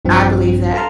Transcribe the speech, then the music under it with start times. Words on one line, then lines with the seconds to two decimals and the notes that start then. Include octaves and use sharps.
I believe that.
0.05 A#1 G2 F3 C4
0.74 A4 F5 A5 A#5 C6 F6